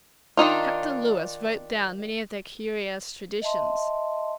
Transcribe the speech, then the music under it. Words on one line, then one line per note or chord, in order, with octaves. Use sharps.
Captain Lewis wrote down many of their curious traditions.
D#3 D4 D#4 F4
D#5 E5 A5 C6